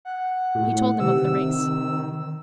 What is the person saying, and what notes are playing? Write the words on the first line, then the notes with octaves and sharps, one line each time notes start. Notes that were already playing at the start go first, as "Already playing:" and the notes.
He told them of the race.
F#5
A2
C3 D#3 E6